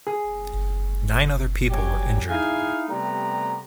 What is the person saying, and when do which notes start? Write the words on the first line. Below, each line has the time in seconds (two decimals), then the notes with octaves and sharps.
Nine other people were injured.
0.07 G#4
1.70 F#3 G3 G4 C#5 G#5
2.29 D#4 E4 G#4 F5
2.89 C3 G3 A3 B3 A#5